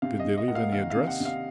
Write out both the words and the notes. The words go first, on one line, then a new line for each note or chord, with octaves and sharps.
"Did they leave any address?"
C3 F5
D#5
C3
D#5
A#3 F#5
F5
D#3 F5
F5
C3
F#5
C3
F5